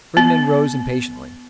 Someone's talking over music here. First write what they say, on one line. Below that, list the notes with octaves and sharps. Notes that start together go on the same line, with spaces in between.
Fernand rose impatiently.
B3